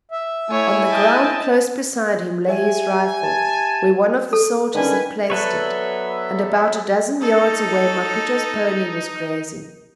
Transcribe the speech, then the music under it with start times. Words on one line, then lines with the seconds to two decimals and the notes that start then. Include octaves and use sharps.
On the ground close beside him lay his rifle, where one of the soldiers had placed it, and about a dozen yards away Maputa's pony was grazing.
0.11 E5
0.49 A3 E4 C#5 G#5
0.90 D#5 G5 A5
2.49 G4 E5 G#5
3.23 A5
4.33 A4
4.74 D3 D#3 C#4 B4 G#5
5.30 F#3 B3 A4 B4 C#5 D5 E5 F#6
7.21 D#4 A4